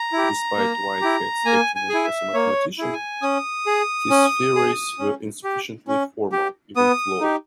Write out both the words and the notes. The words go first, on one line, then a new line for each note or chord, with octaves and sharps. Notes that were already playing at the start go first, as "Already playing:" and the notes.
Despite Whitehead's acumen as a mathematician, his theories were insufficiently formal, even flawed.
Already playing: A#5
E4 G4
A#3
E4 G4
A#3 G#5
G#5
E4 G#4
E5
A#3 C#5
E4 G#4
G#5
C#4 D#6
G#4
C#4
G#4
C#4
G4
C#4
G4
B3 D#6
D#4 G4